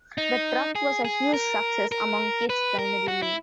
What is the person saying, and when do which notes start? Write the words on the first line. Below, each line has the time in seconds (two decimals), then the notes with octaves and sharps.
The truck was a huge success among kids primarily.
0.18 D#4
0.75 G#4
1.05 G#4
1.34 A#4
1.92 A#4
2.50 B4
2.79 A#4
3.08 F#4
3.22 E4